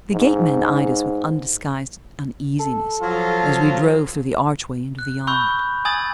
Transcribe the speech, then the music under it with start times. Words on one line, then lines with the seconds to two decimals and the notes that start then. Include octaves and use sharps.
The gateman eyed us with undisguised uneasiness as we drove through the archway into the yard.
0.13 G#2
2.60 A4
3.02 F3 F#3 F4
4.99 F#6
5.27 B5 C#6 E6 G6
5.85 G#5 D#6 E6 G#6 A6 F#7